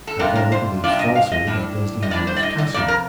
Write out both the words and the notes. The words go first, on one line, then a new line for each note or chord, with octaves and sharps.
Othello believes falsely that Desdemona loves Cassio.
A4
C3 G3 D4 F4 A#4
A#4
C5
C3 G3 D4 F4 D5
D#5
F5
D#5
A2 G3 D4
D#5
A2 G3 D4 D5
C5
D5
D#5
D#5
F2 C3 D5
A#4